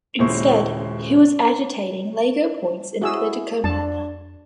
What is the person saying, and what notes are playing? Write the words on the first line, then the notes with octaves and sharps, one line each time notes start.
Instead, he was agitating legal points in a political manner.
D#1 C#3 G#3 E4 C5 C#6
E4 F#4 G#4 E6
F2 D4 A5